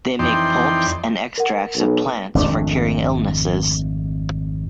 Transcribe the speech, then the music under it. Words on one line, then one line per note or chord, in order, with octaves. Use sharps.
They make pulps and extracts of plants for curing illnesses.
F2 E3 D#4 D5 G5 C6
A#4 F#5
B1
G#1 F2 A3 D4